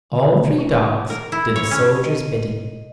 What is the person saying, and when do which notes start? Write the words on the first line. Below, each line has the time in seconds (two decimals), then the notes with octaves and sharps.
All three dogs did the soldier's bidding.
0.12 D3
0.34 B2 D#3 A3 B3 F4
0.58 E4 C#6
1.10 A#4
1.32 E4
1.56 C#5
1.71 C#4
2.06 D#5